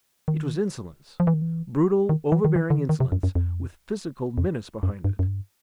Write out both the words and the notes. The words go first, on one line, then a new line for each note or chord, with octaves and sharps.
It was insolence--brutal, overbearing insolence, with physical menace behind it.
D#3
F3
E3
D#3
E3
D#3
E3
D#3
E3
D3
D#3
D#3
C3
F#2
F#2
F2
F2
F#2
G2
F#2
G2